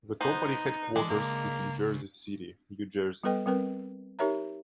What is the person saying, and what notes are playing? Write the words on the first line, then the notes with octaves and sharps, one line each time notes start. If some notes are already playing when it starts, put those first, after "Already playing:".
The company headquarters is in Jersey City, New Jersey.
B3 D#4 C5
E3 F3 G#3 D4
C#2 F#2 A#3
G3 B3 A4 B4 D#5 G5
G3 C4 A#4 B4
D#4 G4 A#4 C#5 E5 A#5